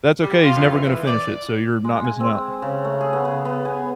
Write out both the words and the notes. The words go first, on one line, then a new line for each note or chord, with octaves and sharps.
That's okay, he's never gonna finish it, so you're not missing out.
G3
F4
F2
E3
E3
D5
G#3
G#5
C4
C#3
A3
G#4
B3
C#3
B3
G#5